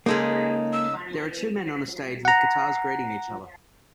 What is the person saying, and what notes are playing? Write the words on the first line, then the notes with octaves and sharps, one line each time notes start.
There are two men on a stage with guitars greeting each other.
C#3 G#3 A#3 D#4 G#4 A4
E6
F#5 A#5